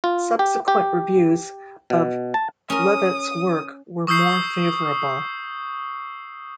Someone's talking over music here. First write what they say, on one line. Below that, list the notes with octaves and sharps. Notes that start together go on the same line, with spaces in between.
Subsequent reviews of Leavitt's work were more favorable.
F4
G4
G4
B2
A5
C#4 A#4 D#6
C#6 D#6 E6 G6 C7